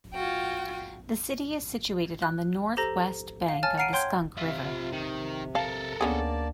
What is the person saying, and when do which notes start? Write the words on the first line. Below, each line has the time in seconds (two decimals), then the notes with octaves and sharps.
The city is situated on the northwest bank of the Skunk River.
0.13 F4 F#4 G5
2.22 F#6
2.77 G4 A4 C5 A#5 A#6
3.48 F5
3.63 C#5 G#5 A5 F6 A6
3.78 F#5 A#5 F6 C7 D7 D#7
3.93 C#5 G5 C6 G6 G#6
4.37 C3 F4 E5
4.92 D#3
5.55 A4 A#4 F5 A5
6.01 D2 A#3 B3 C#4 G#4 D5 A5